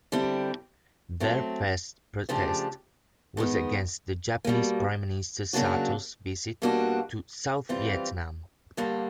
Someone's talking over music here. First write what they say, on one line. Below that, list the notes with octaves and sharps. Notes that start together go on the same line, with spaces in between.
Their first protest was against the Japanese Prime Minister Sato's visit to South Vietnam.
D3 G3 C4 E4 G4
F#3 A3 C4
C#3 F3 A3 D4 G4
D#3 G#3 B3
B2 G3 A#3
C#3 F#3 A#3 D4 F#4
B2 G3 A#3 D4 F#4
E3 G3 C4 F4
G2 D3 G3 A#3